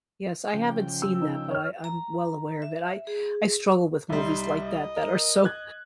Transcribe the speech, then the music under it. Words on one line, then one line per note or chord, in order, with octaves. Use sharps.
Yes, I haven't seen that, but I I'm well aware of it. I I struggle with movies like that that are so,
C#3 F3 G5
E6
D#4
C#5 F6
A#5
E5
G#4
C2 G3 D#4 C6
D#5
A#4
F#6 G#6